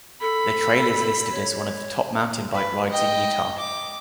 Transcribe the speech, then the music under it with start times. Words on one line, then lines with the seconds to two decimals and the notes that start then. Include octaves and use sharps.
The trail is listed as one of the top mountain bike rides in Utah.
0.21 A4 B5
1.31 C#5
2.53 B4
2.90 D#5 G5
3.58 D6